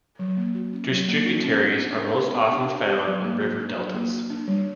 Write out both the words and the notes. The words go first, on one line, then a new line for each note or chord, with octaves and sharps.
Distributaries are most often found in river deltas.
F#3
A#3
F#4
C#4
F#3
A#3
F#4
C#4
B3
D4
A#4
G4
B3
D4
A#4
G4
F#3
A#3
F#4
D4
F#3
A#3
F#4
D4
G3